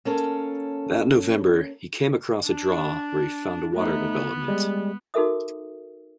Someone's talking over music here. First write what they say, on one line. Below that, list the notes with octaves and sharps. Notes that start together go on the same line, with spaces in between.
That November he came across a draw where he found a water development.
A#3 C#4 A4 C#5
D4
A3 B3 D#4
G3 G#3
D#4 F#4 A4 A#4 E5 D#6